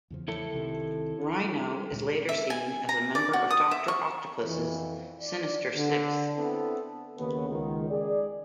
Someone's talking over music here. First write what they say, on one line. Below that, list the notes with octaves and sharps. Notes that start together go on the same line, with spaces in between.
Rhino is later seen as a member of Doctor Octopus' Sinister Six.
E2 C#3 F3
E4 A4
C2 C3 D#3
G3
D2 A#2 G#3
E5
G#5
A#5
D5
F#4
D#6
E5
C#6
F2 E3
D5
D3
B3 C4 D4 E4 A4
D#2 C#3 B3
C#2 D#3
G#4 D5